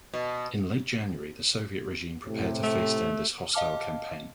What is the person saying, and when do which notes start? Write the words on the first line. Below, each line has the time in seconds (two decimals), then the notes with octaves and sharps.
In late January the Soviet regime prepared to face down this "hostile campaign".
0.14 B2
2.25 A2 C3
2.63 A3
3.54 D#5 F5 A5 D6 F6